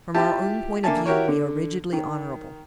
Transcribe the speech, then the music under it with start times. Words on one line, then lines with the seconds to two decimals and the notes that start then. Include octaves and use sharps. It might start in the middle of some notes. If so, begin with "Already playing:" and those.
From our own point of view we are rigidly honourable.
0.14 E4 F4 G4 E5 A5
0.84 D3 A#3 A4 E5 G#5 A5
1.05 E4 F#4 G4 A#4 C#5
1.28 D3
1.92 D#3